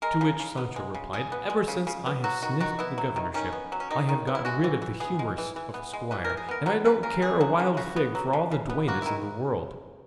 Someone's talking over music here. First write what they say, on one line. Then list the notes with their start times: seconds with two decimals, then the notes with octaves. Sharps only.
To which Sancho replied, "Ever since I have sniffed the governorship I have got rid of the humours of a squire, and I don't care a wild fig for all the duennas in the world."
0.02 G#3 A#4
0.21 C#3
0.40 C#3
0.57 B3
0.76 G#3
0.94 C#3
1.13 C#3 G#4
1.32 B3
1.50 G#3
1.68 C#3
1.87 C#3
2.06 B3
2.24 F#3 F#4
2.42 D#3 F#4
2.60 D#3 F#4
2.79 B3 E4
2.98 F#3
3.16 D#3
3.34 D#3 C#4
3.53 B3
3.72 F#3
3.80 C#4
3.90 D#3 D#4
4.09 D#3
4.27 B3
4.35 E4
4.45 G#3 F#4
4.64 E3
4.82 E3
5.00 B3 G#4
5.19 G#3
5.38 E3
5.56 E3
5.74 B3
5.93 G#3
6.11 E3 B4
6.25 A#4
6.30 E3
6.37 G#4
6.49 B3 A#4
6.66 F#3 B4
6.85 C#3 B4
7.03 C#3 A#4
7.22 B3 G#4
7.41 F#3
7.59 C#3
7.77 C#3 F#4
7.96 B3
8.15 F#3
8.33 C#3
8.51 C#3
8.70 B3
8.88 A#3 F#4
9.02 D#3 E4